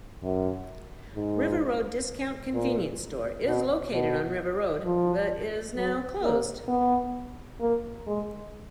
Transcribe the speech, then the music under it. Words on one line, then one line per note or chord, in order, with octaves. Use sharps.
River Road Discount Convenience store is located on River Road but is now closed.
F#2
G#2
A#2
B2
B2
F3
F#3
A#3
B3
A#3
G#3